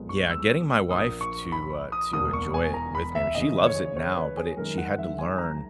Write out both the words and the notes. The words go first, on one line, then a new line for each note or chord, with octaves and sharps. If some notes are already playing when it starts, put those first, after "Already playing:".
Yeah, getting my wife to, uh, to enjoy it with me, I mean- she loves it now- but it she had to learn
Already playing: B1 A#2 G#3 B3
C#6
E6
A#1 A#2 A#3 D#6
C#6
B5
D#6
E1 E2 B2 A#3 D#6
C#6
G#5
A#5
B5
E5
D#2 C#3 E3 D#5
C#5
C#5
B4
G#4
F#2 D#3 G#3 A#4
F#5
E5
G#5
A#5